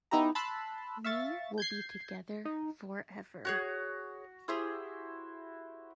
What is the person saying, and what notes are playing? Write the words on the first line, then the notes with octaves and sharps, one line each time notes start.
We will be together forever.
B3 D#4 E4 G4 A#5
A5 B5 C6 E6 F#6
E5 F5 C#6 A6
G6 G#6 C7
D#4
F#4 G#4 C#5 F#6
E4 G4 G#4 C5 D#6